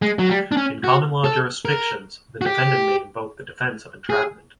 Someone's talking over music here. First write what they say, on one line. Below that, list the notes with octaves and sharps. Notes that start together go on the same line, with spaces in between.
In common law jurisdictions, the defendant may invoke the defense of entrapment.
G#3
F#3
G3
D4
C#4
F#4
A4
A#4
F#4
G4
G#4